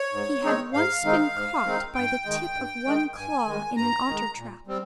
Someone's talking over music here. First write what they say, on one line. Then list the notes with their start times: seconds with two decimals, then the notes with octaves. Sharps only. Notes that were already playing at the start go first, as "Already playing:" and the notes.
He had once been caught by the tip of one claw in an otter-trap.
Already playing: C#5
0.12 G#2
0.43 D#3 G#3 C4 D#4
0.73 G#2 F5
1.03 D#3 G#3 C4 D#4
1.34 G#2
1.64 D#3 G#3 C4 D#4
1.94 G2 G5
2.25 D#3 G#3
2.55 G2
2.85 D#3 G#3
3.15 G2 G#5
3.46 D#3 G#3
3.76 G2 A#5
4.06 D#3 G#3
4.37 A#2
4.67 G3 C4